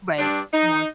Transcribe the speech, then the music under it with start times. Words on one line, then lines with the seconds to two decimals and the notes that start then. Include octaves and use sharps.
Right. More.
0.18 G2 D4
0.54 D#4